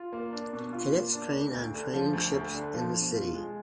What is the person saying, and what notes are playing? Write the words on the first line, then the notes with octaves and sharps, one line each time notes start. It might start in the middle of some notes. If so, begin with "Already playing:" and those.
Cadets train on training ships in the city.
Already playing: F4
A#3
D4
B2
F4
A#3
D4
D2
D2
D3
F3
D2
D2
D3
F3
B2
F4
G#3